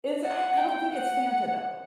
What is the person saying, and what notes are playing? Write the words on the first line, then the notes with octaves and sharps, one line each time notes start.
Is I I don't think it's Fanta though.
F#5
G5
F#5